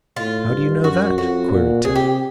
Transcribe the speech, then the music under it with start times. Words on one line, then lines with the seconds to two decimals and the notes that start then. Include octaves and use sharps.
"How do you know that?" queried Tad.
0.16 A2 F4
0.51 G2
0.83 F#2 F#4
1.17 F2 F#4
1.51 A#2
1.84 C3 G#4
1.96 G4